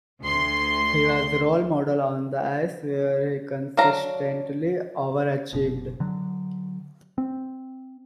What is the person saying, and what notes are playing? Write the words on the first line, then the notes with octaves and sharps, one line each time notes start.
He was a role model on the ice where he consistently overachieved.
D2 C6
F#3 D4 F5 A#5
F#1 B2
D3 F#3
C4